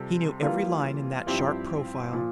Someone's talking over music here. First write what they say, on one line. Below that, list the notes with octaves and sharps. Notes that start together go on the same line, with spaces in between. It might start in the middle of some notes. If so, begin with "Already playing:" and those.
He knew every line in that sharp profile.
Already playing: C3 G3 C4 F4 A4
E3 G3 A#3 F4
G2 F3 C4 E4 G4
A#2 F3